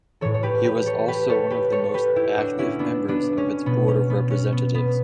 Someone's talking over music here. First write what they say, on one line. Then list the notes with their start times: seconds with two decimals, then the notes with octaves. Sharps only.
He was also one of the most active members of its board of representatives.
0.21 A2 E3 A4 C#5
0.34 C#5
0.43 G4 B4
0.64 G4 B4
0.86 A4 C#5
1.08 G4 B4
1.30 A4 C#5
1.50 G4 B4
1.72 A4 C#5
1.94 G4 B4
2.16 E4 G4
2.37 D4 F#4
2.59 C#4 E4
2.79 B3 D4
3.08 B3 D4
3.38 C#4
3.66 B2 B3
3.88 C#4
4.10 B3
4.30 C#4
4.52 B3
4.75 B3